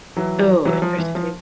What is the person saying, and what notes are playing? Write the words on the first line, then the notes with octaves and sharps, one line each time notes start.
Oh, interesting.
E3 F#3
E3 F#3
F3
E3
F3